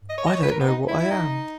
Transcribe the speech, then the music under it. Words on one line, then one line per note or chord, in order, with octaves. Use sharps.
I don't know what I am.
D#5
C#5
D#5
C#5
B4
A#4
B3
D#4
E4
E4
D#4